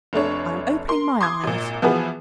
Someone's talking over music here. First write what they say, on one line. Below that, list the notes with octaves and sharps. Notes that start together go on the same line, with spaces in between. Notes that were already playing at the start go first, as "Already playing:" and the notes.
I am opening my eyes.
F1 A3 D4 C#5
A#4 C6
C6 D6 D#6 G#6
G#1 A#2
E3 F3 B3 F#4 G#4 B4